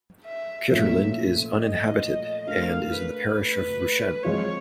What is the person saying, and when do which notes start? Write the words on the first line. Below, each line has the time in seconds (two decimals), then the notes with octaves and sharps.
Kitterland is uninhabited and is in the parish of Rushen.
0.26 E5
0.70 A#2 F3 A3 C#4 F4 E5
1.59 D#5
2.47 A3 D4 F4 A#4 F5
2.92 B4
3.35 B4
4.23 F3 G#3 C4 F4 C#5